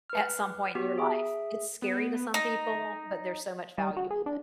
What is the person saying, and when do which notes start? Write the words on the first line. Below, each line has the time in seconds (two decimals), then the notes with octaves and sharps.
at some point in your life. It's scary to some people, but there's so much value in it.
0.10 B4 F6
0.75 B3 F#4 G4 B6
0.98 G#4 E5
1.82 B3
2.34 D#4
3.78 G3
3.97 F#4
4.11 G#4
4.26 D4